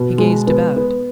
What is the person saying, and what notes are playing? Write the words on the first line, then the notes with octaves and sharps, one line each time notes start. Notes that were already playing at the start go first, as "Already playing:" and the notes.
He gazed about.
Already playing: B2 B3
G#3
B3
B3